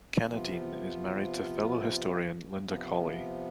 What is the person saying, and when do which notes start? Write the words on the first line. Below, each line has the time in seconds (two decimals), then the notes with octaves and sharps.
Cannadine is married to fellow historian Linda Colley.
0.24 C3 F3 B3 F4
2.67 C3 F3 B3